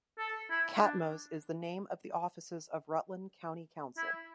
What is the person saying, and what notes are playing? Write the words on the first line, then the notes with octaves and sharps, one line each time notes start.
Catmose is the name of the offices of Rutland County Council.
A4
E4
D4
E4